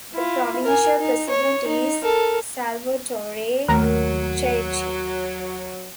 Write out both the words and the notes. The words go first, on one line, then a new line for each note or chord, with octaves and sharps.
The provincial president is Salvatore Cherchi.
E4 F4
A#4 G#5
D#4
C#5
D#4
A4 A#4
D#2 F#3 A3 A#4